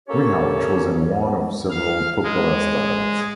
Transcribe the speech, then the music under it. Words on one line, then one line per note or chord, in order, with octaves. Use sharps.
We have chosen one of several popular styles.
A#3 C#4 G4 A4 C#5
F5
G#3